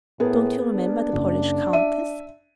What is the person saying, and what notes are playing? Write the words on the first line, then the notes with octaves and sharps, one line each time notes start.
Don't you remember the Polish Countess?
A2 B3 G#4 A#4
D4
F#1
E5 D#7